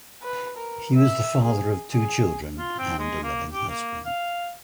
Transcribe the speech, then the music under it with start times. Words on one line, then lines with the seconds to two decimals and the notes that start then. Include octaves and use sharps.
He was the father of two children and a loving husband.
0.22 B4
0.57 A#4
0.95 E5
1.43 G#4
1.91 G#4
2.58 F4
2.79 C4
2.99 G#3
3.23 A#3
3.52 G4
3.69 A#3
4.06 F5